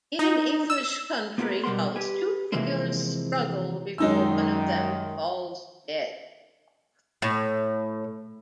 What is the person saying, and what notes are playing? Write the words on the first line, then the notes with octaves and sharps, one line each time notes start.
In an English country house two figures struggle before one of them falls dead.
D#4
E6
A#3 B3 F4 F#4 A#4 B4
B2 G3 A#4 F#5 C6
G4 B4 G#5
C3 E3 F3 G#3 A#3 C4
F#2 D#3 G#3 D#4 E6
A2